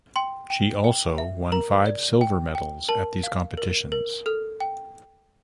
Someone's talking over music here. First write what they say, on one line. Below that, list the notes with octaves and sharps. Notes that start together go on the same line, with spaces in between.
She also won five silver medals at these competitions.
G5 C6
G5
G5
E5
A#4 A#5
D5
G5
G5
A#4 A5
F5
A#4
A#4
A4 F6
G5